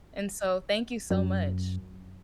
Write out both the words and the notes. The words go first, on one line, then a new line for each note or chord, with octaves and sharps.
And so, thank you so much,
F#2